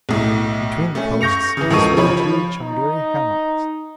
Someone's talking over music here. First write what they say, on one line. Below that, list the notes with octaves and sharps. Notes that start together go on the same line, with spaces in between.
Between the posts swing two chambiri hammocks.
B1 A2
A3 C#4
C#6 G6 A#6 C#7 F7
C#3 E3
C#2 D#3 F3 A4 C#6 D#7
F3 C#5 B5
D#4